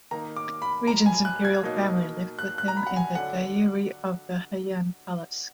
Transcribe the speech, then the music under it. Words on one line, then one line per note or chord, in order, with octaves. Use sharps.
Regien's Imperial family lived with him in the Dairi of the Heian Palace.
D#3 A#3 D#4 A#5
D6
B5
A#5
G#5
F#6
G#6
B2 F#3 A#3 D#4
F#6
F#6
A#5
B5
F#5
G#5
D3 F#3 D4 F#5